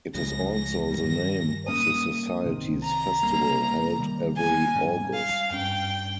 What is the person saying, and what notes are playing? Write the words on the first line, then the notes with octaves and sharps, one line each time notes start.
It is also the name of the society's festival, held every August.
C#2 C#3 F3 G#3 A#6
A#6
G2 D#3 G3 A#6
G#2 G3 A#3 C#4 D#6
C2 C3 D#3
A#5
C3 G3 A#3
C3 D#3 G3 A#3
G#5
G#2 G3 C#4
F5
G2 G3 C#4 G5